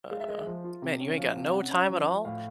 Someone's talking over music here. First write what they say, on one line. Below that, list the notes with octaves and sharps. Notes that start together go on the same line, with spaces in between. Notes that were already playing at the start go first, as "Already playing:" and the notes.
uh, man, you ain't got no time at all?
G#3 F5
E5
G#3 D#5
E5
F3
F4
C3
C#4
F3 F5
C3 F5
C#4 F#5
C#4
F3
F3
A2 F5